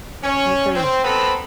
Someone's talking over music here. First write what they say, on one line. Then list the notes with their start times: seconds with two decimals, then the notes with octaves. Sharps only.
I agree.
0.24 C#4 C#5
0.75 C4
1.04 B3 C4 A4 B4 A#5 B5